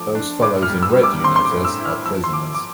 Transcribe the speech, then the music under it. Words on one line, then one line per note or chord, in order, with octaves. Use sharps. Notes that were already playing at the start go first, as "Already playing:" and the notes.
Those fellows in red you notice are prisoners.
Already playing: D3 F3 A3 D6
D4
A2 D6
F6
G3
E6
G3
D6
C4 C6
C6
D6
A2
E6
E4
F6
F3 E6
C6
F3 D6
D6